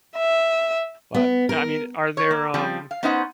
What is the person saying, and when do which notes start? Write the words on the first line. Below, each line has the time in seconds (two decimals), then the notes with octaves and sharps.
but I mean, are there, um
0.17 E5
1.14 B3
1.49 A#4
2.17 C#5
2.31 A#3
2.54 F3 G3 C4
2.91 F5
3.03 B3 C#4 D#4 C5 D#5 F#5